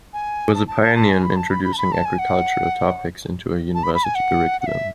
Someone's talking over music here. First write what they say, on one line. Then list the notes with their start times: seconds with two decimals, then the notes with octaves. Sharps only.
He was a pioneer in introducing agricultural topics into a university curriculum.
0.13 G#5
0.54 A5
0.67 A5
0.82 A5
0.96 A5
1.09 G#5
1.23 B5
1.36 A5
1.51 B5
1.64 B5
1.73 A5
1.78 B5
1.92 A5
2.05 G#5
2.19 F#5
3.75 A5
3.83 B5
3.94 B5
4.04 G#5
4.15 F#5
4.61 F#5
4.66 E5